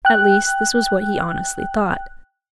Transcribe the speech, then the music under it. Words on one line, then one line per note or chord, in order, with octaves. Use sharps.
At least, this was what he honestly thought.
G5 F#6